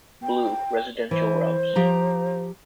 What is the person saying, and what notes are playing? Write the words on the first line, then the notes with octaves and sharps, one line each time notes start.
Blue: Residential Routes.
G5
E3 C5
F3 G4 A#5